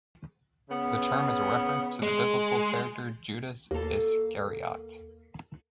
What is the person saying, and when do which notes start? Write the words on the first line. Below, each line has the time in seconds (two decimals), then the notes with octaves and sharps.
The term is a reference to the biblical character Judas Iscariot.
0.70 C#3 B3
2.03 G#3
3.71 D#2 A#3 A4